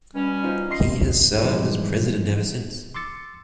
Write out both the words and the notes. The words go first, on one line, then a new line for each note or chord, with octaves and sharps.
He has served as president ever since.
B2 G3 C#4
D#4 F4 C5
D#5 C6 C7
G#2 E3 F3 G3 G#3
C6 D6 E6 A6 C#7